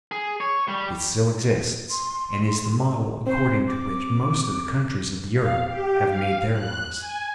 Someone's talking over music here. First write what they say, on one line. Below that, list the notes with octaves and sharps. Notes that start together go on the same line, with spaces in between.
It still exists, and is the model according to which most of the countries of Europe have made their laws.
G#4
C#5
G3
C6
C4 C5
D6
F5
G4
F5
F#6
G#5